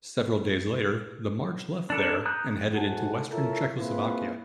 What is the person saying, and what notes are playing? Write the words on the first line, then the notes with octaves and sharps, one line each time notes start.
Several days later the march left there and headed into western Czechoslovakia.
D4 A4 A#4
A#5 D#6 F#6 G6
G#2 A3 F#4 F#5 G#5 A5
E4 F4 A4 A#4 C#5 E5
A#3 C4 E4 F4 G#4 B4